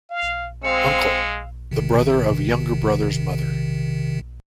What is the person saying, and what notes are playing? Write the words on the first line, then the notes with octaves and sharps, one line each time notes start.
Uncle - The brother of Younger Brother's mother.
F5
G#3 C4 F5 E6 C#7
C3 D#3